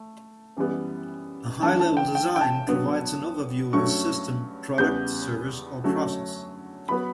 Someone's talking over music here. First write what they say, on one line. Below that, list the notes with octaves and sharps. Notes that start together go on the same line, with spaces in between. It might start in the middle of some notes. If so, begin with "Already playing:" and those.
A high-level design provides an overview of a system, product, service or process.
Already playing: A3
F#2 E3 G3 B3
G2 E3 A3 C#4 A5
A5
G5
G5
G5
A5
G2 F#3 B3
G2 F#3 A3 C#4 C#6
E2 C#3 G3 B3 G6
F#2 D3 F#3 A3 C#4
F#3 B3 B5